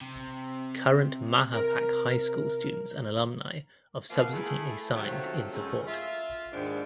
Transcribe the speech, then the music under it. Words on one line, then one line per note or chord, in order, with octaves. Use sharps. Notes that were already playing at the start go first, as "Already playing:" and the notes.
Current Mahopac High School students and alumni of subsequently signed in support.
C3
A#4
A#2 F3 A#3 B3 F5
A3 E4 G#4
C3 D#3 F#3 A3 F4 C5
F#2 G#3 A3 C#4
F4 E5
D#2 G#2 D4